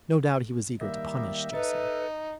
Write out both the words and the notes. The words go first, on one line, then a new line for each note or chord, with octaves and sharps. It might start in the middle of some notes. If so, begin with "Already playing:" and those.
No doubt he was eager to punish Josiana.
D#3 G3 A#3 E5
D#4 A4 B4